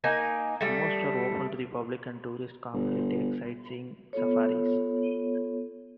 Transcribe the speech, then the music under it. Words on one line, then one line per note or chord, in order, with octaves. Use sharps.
Most are open to the public, and tourists commonly take sightseeing safaris.
A#3 D#4 G#5
G3 A3
G1
B3 F4 A4 C#5